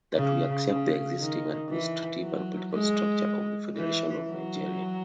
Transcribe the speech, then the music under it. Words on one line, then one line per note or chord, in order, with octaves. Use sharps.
That we accept the existing administrative and political structure of the Federation of Nigeria.
C#3
C#3
D#3
E3
F#3
G#3
E3
F#3